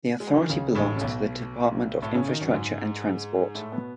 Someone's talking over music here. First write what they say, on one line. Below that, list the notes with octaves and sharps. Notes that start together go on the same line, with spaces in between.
The authority belongs to the Department of Infrastructure and Transport.
G#3
F#3
E3
D#3
C#2 C#3
A1 A2
C#3
B1 B2
A2 A3
C#3 C#4
D#3 D#4
F#2 F#3
G#2 G#3
A2 A3
B2 B3